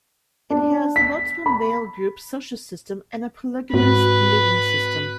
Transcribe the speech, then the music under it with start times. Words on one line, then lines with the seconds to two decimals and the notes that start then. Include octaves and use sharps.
It has a multiple-male group social system and a polygamous mating system.
0.50 D4
0.96 B6
1.46 B5
3.74 G#2 C4 F#4 B4